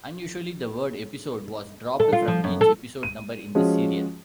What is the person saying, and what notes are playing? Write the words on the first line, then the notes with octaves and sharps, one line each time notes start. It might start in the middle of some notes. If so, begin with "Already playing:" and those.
Unusually, the word "episode" was dropped from each episode number in this serial.
A4
F4
F3
F#2
A4
D#7
F3 G#3 C#4 F#4